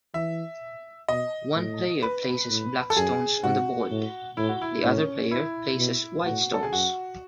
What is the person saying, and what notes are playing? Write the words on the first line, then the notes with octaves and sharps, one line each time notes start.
One player places black stones on the board; the other player places white stones.
E3 E5
B2 D#5
A2
B4
A2
A4
F#2 G#4
G#2 F#4
A2
A2 E4
F#4
E4
A2 C#4
E4
B2
A2 F#4
A4
G#4
F#2 F#4